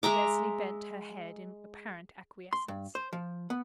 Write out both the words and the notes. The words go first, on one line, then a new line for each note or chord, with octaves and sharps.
Leslie bent her head in apparent acquiescence.
G#3 E5 A#5 D6
C6
G2
C5
F3
B3